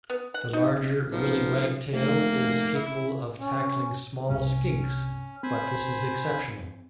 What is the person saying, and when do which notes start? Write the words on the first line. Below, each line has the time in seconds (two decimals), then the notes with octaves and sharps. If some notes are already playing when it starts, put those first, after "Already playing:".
The larger willie wagtail is capable of tackling small skinks, but this is exceptional.
0.10 B3
0.34 F#5
0.53 D#4
1.12 B1 F3
1.92 F1 A#3
2.75 E4
3.38 C#4
4.29 C2 G2 C3 C#4
5.43 C4 C5 G#5 B5